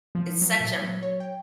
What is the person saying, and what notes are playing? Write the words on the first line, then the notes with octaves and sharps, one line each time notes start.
It's such a
F3
F#3
A#2
F#3
C#5
G5